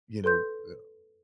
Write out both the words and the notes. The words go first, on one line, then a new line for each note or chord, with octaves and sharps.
you know, uh,
A4 B4 C6 G6